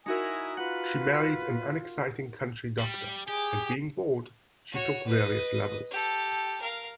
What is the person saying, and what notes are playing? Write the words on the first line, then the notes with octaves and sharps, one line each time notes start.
She married an unexciting country doctor, and being bored, she took various lovers.
D#4 E4 F#4 A#4 G#5 D#6
F4 B4 F#5
G3
G4 G#4
F#4 C#5
B4 D#5
G4 A4
A#4 F5